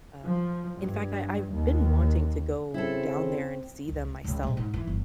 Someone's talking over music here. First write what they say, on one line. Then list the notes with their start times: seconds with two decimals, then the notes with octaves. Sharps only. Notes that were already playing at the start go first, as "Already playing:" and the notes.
um, in fact, I I've been wanting to go down there and see them myself,
0.24 F3
0.78 G2
1.53 D#2
2.74 C#3 C4 E4 A4
3.89 C#2
4.24 C#2 C#3
4.43 A#2 G#3
4.57 G#2
4.74 E3
4.87 G1